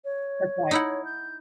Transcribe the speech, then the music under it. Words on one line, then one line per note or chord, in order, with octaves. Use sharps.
That's right.
C#5
D#4 E4 F#5
G6